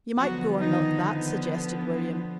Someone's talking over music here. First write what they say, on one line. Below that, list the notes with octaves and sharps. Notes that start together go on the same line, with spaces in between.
"You might go an' milk that," suggested William.
D3 F3 F#3 B3 F#4
D#3 D#4